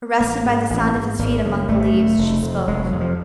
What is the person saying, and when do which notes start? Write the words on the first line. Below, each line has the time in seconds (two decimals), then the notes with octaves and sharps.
Arrested by the sound of his feet among the leaves, she spoke.
0.20 A1 A#3
0.45 G#2
0.70 A1
0.95 G#2
1.19 G#1 A#3
1.43 F#2 C#3
1.68 G#1 A3
1.93 F#2 C#3
2.18 F1
2.43 F2 C3
2.67 F1 G#3
2.84 F#3
2.92 F2 C3
3.01 F3